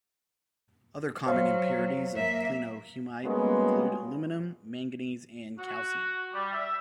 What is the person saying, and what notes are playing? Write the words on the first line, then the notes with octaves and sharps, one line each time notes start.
Other common impurities of clinohumite include aluminium, manganese, and calcium.
F#3 C5 C#5 F5
A#3 E5
G3 G#3 A#3 B3 C#4 F#4
F#4
G3
E5